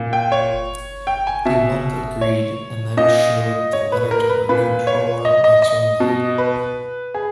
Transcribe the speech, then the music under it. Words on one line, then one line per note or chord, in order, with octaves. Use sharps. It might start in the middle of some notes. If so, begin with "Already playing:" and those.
De Muncke agreed and then showed the letter to her controller Maxwell Knight.
Already playing: A#2
G5
C#5
G5
G#5
B2 E5
C#5
A#2 D#5
C#5
B4
A#4
B4
A#2 B4
C#5
D#5
D#5
D#5
B2
B4
G#4